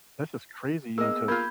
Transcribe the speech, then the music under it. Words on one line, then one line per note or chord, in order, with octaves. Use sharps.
that's just crazy, you know, to
A#3 B3 G#4 D#5 E6
A#3 F4 B5 G6 G#6